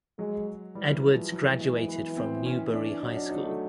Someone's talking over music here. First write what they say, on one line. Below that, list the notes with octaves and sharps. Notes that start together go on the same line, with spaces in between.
Edwards graduated from Newberry High School.
F#3 G#3
E3 G3
F#3
F3
F#3
G#3
B3
C4
C#4
D4
F#3 D#4
D4
D#4
A3